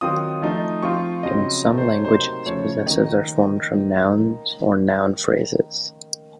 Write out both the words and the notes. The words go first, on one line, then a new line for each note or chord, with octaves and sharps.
In some languages, possessives are formed from nouns or noun phrases.
D#3 F#3 C4 F4 D#6
F3 A3 D#4
F3 C4 F4 C#6
C#3 F#3 C4 D#5
A2 A3 D#4
C5
C#5
C3 F#3 A#3 D#4 C5
C#3 F3 A3 C#5
D#3 A#3 D#4 D#5